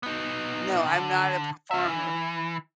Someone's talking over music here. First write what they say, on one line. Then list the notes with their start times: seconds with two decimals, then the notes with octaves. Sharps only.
No, I'm not a performer.
0.03 B3 D#4
0.87 D3
1.71 C#4 E5
1.89 E3